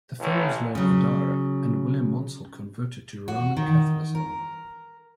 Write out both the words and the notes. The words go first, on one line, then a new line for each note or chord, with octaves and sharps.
The Fellows Lord Adare and William Monsell converted to Roman Catholicism.
A1
C#3 F#3
F#4
D#3
A#4